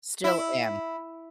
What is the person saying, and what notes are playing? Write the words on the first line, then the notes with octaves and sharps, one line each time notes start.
Still am.
E4